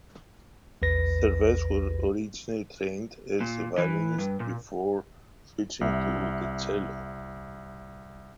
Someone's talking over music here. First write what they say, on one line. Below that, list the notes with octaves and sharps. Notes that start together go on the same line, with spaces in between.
Servais was originally trained as a violinist before switching to the cello.
A#1 E2 B4 A#6
A#2
E3
G2
A#2
C2 E5